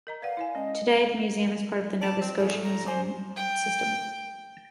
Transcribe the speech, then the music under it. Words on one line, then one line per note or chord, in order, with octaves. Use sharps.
Today the museum is part of the Nova Scotia Museum system.
A#4 D#5 A#5
B4 D5 F5 F#5
E4 D5 G#5
G#3 C#4 D#5
D5 A5
C4
A2 G#4
A#5
C5 G#5 D6
G5